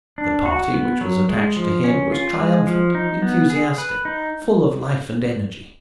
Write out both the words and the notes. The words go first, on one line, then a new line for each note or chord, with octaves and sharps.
The party which was attached to him was triumphant, enthusiastic, full of life and energy.
D4
F#4
B3
F#3
G#3
F3
C#4
F4
G#3
F3
D#4
B3
G#4
B4
D#4